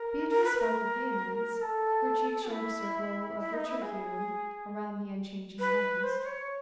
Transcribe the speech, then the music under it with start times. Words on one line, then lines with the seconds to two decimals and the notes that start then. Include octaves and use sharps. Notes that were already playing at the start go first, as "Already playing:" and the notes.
Beatrice spoke with vehemence; her cheeks showed a circle of richer hue around the unchanging rose.
Already playing: A#4
0.29 A#4
0.44 B4
0.58 A#4
1.62 A4
2.50 E4
3.39 E4
3.53 D#4
3.68 E4
3.82 G#4
5.59 B4
6.03 C5
6.21 C5
6.26 C#5